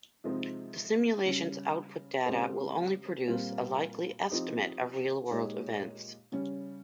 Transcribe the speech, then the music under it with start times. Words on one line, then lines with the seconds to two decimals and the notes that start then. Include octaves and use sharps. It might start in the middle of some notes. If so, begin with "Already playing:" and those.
The simulation's output data will only produce a likely "estimate" of real-world events.
0.24 C3 F3 G#3 C4 D#4
1.26 C#3 G3 C#4
2.26 C#3 G#3 C4 G4 C5
3.28 A#2 G3 C4 F4
4.30 F3 C4 D#4 G4
5.31 A#2 G#3 D#4 G4 C#5
6.32 C#3 G3 C#4